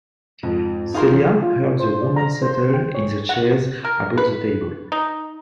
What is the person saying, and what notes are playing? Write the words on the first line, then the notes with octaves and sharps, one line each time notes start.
Celia heard the women settle in their chairs about the table.
F2 G#2
D#4 F4 G#4 A#4 F5 C6
E3 C#4
F4
C5
D5
A#5
C5
G5
C#5
F#5
A#4
B4
D#4